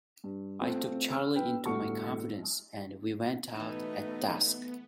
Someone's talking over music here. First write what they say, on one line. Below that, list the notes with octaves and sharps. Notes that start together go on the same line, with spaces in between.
I took Charley into my confidence, and we went out at dusk.
G2
A3 C4 F4
E6 F6
B4 G5
G1 A2 G3 A3 F#4 C#6
B2 E3 A3 B3 D#4 A5